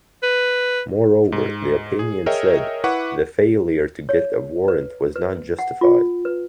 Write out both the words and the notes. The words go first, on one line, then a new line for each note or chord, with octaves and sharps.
Moreover, the opinion said, the failure to get a warrant was not justified.
B4
G#2
G#4
G#4 A#4 C#5 D#5 E5 G5
E4 B4 F#5 C#6 D6
C#5
B4
B4
F#5
F4
B4